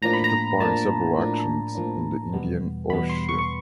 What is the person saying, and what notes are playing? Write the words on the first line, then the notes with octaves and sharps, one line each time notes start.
She took part in several actions in the Indian Ocean.
A2 F3 A#3 D4 A#5
B5
A#5
A2 F3 A#3 D4 A5
A2 F3 A#3 D4
A2 F3 A#3 D4
E2 B2 G3 B3
E2 B2 G3 B3 B5
C6
C#6
C#6